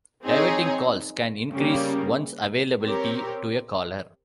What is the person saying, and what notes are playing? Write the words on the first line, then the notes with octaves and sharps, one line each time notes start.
Diverting calls can increase one's availability to a caller.
C4 D#4 G#4 C#5
C#3 G3 A#3
C4 G4 A#4 C#5